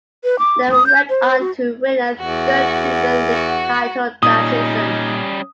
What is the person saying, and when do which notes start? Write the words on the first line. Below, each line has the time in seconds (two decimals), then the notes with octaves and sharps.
They went on to win a third Midland League title that season.
0.24 B4
0.39 D6
0.72 D#6
0.87 G6
1.09 C5
1.40 F#4
2.19 E2 F#4
3.32 F#4
4.23 A#2 G3 C#4 D#4 D#6